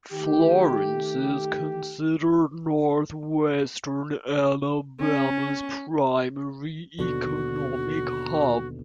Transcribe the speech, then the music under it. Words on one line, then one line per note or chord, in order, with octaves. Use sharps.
Florence is considered northwestern Alabama's primary economic hub.
D#3 A3 G4
C#4
D#2 B2 D3 F#4